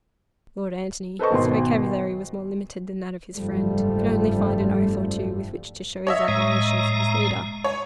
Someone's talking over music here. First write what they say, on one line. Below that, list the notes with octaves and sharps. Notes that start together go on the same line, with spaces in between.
Lord Antony, whose vocabulary was more limited than that of his friend, could only find an oath or two with which to show his admiration for his leader.
A4 B4 C5 D#5 A5 C#6
G#1 B2 C6
F#1 G#2 D3 F3 G3 A3
C#5 D#5 E5
A2 G#3 A#5
C#5